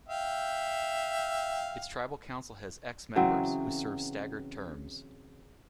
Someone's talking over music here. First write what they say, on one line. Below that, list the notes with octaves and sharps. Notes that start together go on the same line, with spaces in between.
Its tribal council has x members, who serve staggered terms.
E5 F5 G5
C#3 E3 F#3 C4